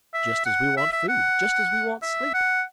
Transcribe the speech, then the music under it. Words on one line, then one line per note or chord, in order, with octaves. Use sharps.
Just as we want food, just as we want sleep.
E5
F#5
E5
E5
F#5
E5
F#5